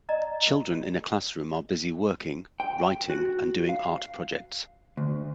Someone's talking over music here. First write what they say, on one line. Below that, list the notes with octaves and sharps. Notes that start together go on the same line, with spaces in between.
Children in a classroom are busy working, writing and doing art projects.
D5 D#5 A#5
G5
F#4
F5
D2